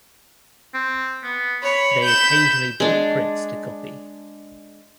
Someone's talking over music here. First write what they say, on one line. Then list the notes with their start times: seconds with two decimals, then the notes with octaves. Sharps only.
They occasionally bought prints to copy.
0.74 C4
1.23 B3
1.63 C#5 B5
2.05 G6 E7
2.80 G#3 D4